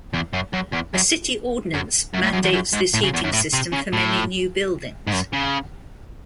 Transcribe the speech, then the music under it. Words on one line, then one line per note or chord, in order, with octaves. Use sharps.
A city ordinance mandates this heating system for many new buildings.
E2
F#2
F#2
E2
F#2
F#2
F#2
A2
F#2
E2
F#2
G#2
A2
C#3
E2
F#2
A2
C3
C#3
A2
G#2
F#2
C#3